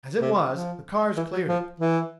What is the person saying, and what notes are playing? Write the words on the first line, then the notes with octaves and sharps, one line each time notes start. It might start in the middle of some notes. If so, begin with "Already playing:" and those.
As it was, the cars cleared it.
C3
F3
E3
F#3
F3
E3